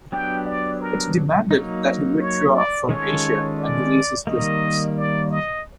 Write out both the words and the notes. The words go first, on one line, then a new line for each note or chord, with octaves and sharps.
It demanded that he withdraw from Asia and release his prisoners.
F#3 B3 D4 G4 G5
D5
A#4
F#3 A#3 D#4
C#5
D5
D#3 G#3 C#4 F4 A4 C#5
D5
D#3 G3 A#3 D#5
D5
D#5